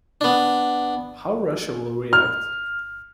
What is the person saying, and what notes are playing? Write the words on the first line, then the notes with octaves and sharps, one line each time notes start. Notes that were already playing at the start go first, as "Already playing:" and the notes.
How Russia will react?
B3 D4
F6